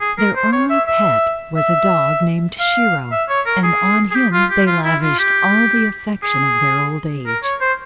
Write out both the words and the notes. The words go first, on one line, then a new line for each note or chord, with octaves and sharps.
Their only pet was a dog named Shiro, and on him they lavished all the affection of their old age.
G#4
A#4
C5
C#5
E5
E5
E5
F5
E5
C#5
A#4
G#4
G#4
G4
F4
G4
F4
E4
F4
G4
G#4
A#4
C#5
C5